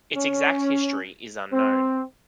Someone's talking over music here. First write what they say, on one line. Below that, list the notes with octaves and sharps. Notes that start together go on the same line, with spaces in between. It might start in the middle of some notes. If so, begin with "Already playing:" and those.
Its exact history is unknown.
C#4
C4